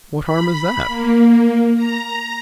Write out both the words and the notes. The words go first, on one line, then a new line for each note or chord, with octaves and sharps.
What harm is that?
B5
A#3
A#5